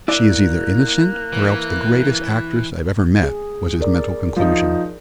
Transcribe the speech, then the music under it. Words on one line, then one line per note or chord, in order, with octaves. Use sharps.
"She is either innocent, or else the greatest actress I've ever met," was his mental conclusion.
A#3 E4 D5 F#6
E3
G#4
A#4 D5
F3 D#4